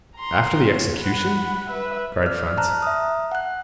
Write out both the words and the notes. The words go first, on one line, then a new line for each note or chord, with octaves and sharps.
"After the execution?" cried Franz.
A#5 C6
C#5
F#5 B5
B4 E5
D5 F6
A5 A#5 F6 F#6
E5 D#6
F#5 F#6